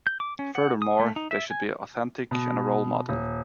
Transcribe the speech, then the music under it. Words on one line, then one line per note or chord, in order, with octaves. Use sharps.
Furthermore, they should be authentic and a role model.
G6
D6
C#4
F#5
D#6
A3
D#4
E5
G#5
B2
D#1